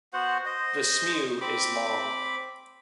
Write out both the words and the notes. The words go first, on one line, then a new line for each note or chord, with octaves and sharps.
The smew is long.
B3 F#4 C5 F#5
C5 D#5
C4 B5 D6